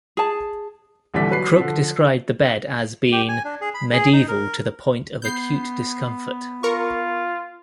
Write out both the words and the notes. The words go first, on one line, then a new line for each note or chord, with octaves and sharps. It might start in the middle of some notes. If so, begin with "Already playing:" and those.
Crook described the bed as being "medieval to the point of acute discomfort".
G#4 A5
D#1 D3 E3 G3 D4 B6
F#3 B4 C7
D3 F3
G4
G#5
D4
G#4
B5
G#4
D#4
A#4
B3 G6 C7
F4 A#4 C#6